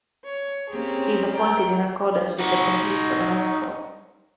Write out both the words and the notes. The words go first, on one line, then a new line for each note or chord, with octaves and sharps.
He is appointed in accordance with the behest of an oracle.
C#5
A#3 C4 C#4 G4 G#4
G#4 A#4 D5 G5
D#4 F#4